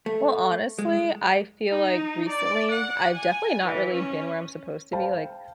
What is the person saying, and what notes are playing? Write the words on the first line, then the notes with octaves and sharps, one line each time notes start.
Well, honestly, I feel like recently, I've definitely not really been where I'm supposed to be. Like,
A3
G#3
D#4
D5
F#5
G#5
E3
C#4
C5 F5 G5 A5